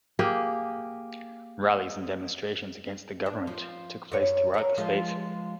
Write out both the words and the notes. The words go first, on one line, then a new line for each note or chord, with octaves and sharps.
Rallies and demonstrations against the government took place throughout the state.
A#3 G4 G#4
D4
F3
F#2 C#5
A#4 C#5
F3 G#3 F4